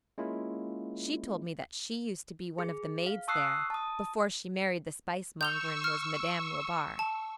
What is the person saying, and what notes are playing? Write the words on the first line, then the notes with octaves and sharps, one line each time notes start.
She told me that she used to be one of the maids there, before she married the spice-monger and was Madame Robard.
G#3 A#3 C#4 E4 F4
G#4
F5
A5 C#6 D#6 E6 F#6 C7
A5 D#6
C#6 E6 G6 F7 G7
F6
A5